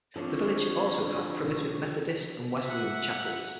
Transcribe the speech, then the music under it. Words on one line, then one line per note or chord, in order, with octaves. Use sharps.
The village also had Primitive Methodist and Wesleyan chapels.
D3 F3 C4 D4 A4 C#5
E5 F#5